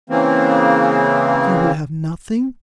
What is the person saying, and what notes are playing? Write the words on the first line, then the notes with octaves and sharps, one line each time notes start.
"You will have nothing!"
C#3 E3 A#3 C4